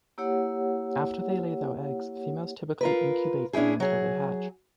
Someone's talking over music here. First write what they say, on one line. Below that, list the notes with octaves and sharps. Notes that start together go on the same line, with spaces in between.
After they lay their eggs, females typically incubate them until they hatch.
A#3 E4 G4 C#5 F#5
F4 A#4 B4
C#4 D4 E4 G4 G#4
F#3 G#4